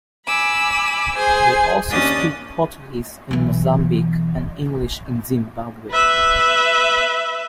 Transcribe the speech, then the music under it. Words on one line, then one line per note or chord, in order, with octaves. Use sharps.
They also speak Portuguese in Mozambique and English in Zimbabwe.
G#5 B5 D6 E6
G#4 C5 G#5
D#2 C#4 D4 D#6 A6
B1 E3
B4 E5